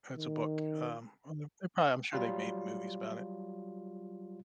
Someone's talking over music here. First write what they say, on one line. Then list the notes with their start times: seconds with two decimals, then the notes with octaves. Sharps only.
it's a book, um um, they they prob I'm sure they've made movies about it.
0.16 D#3
2.13 F#3 G3 F4